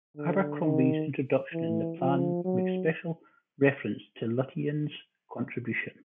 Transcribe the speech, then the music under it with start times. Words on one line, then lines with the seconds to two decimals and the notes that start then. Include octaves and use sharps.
Abercrombie's introduction in the plan makes special reference to Lutyens' contribution.
0.17 D3
0.63 D#3
1.53 E3
1.99 F3
2.44 F#3